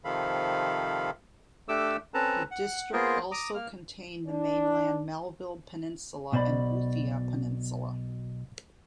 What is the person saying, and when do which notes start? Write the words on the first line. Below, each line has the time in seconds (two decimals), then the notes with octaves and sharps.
The district also contained the mainland Melville Peninsula and Boothia Peninsula.
0.05 C3 D#3 F3 A4 F5 B5
1.68 A3 D4 G4 A4 D6 E6
2.14 C4 C#4 A4 B4 A5 A#5
2.51 F#5
2.93 A#3 B3 F4 G#4 A#4 C5
3.31 A#5 D6 D#6
3.55 A#3 F6
4.28 D4
6.32 B1 B2 C5 D5 B5